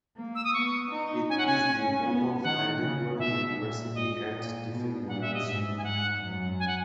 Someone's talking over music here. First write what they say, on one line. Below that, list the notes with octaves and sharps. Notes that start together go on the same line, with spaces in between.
It is the home of Heidelberg University and Tiffin University.
A#3
E6
D#6
B3 C#6
D#4
C#4 G#5
F#5
G#5
C#4
B3
D#3 F#5
C#3
B2 E5
A#2
G#2 D#5
A#2
B2
A#2 F#5
E5
D#5
G#2 E5
G#5
G#2 F#5
F#2
G#5
F#5